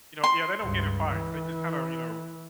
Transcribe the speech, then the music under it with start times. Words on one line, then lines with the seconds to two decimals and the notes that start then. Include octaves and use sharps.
you know yeah, they don't get in fights, they just kinda, you know,
0.24 C6
0.61 C#2 G2
1.10 E3